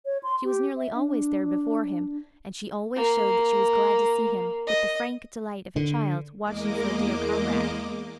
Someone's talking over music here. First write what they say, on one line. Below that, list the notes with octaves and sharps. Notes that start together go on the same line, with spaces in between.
She was nearly always there before him and she always showed that she was glad to see him with the frank delight of a child watching for a dear comrade.
C#5
C6
G4
E5
D4
A#3
D#5
D3
E2 G#3 A#3 D#5 D6